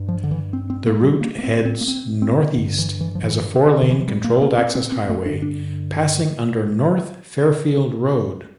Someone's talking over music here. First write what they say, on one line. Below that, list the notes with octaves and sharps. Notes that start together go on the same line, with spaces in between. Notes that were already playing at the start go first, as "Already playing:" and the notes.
The route heads northeast as a four-lane controlled-access highway, passing under North Fairfield Road.
Already playing: G2
F3
D3
E3
C4
C4
A#3
G3
A#3
A#3
C4
C4
A#3
C4
C4
G2 D3
E3
E3
F3
E3
D3
E3
F3
G3
A#3
A#3
C4
C4
C4
A3
G2 D3 D4
D4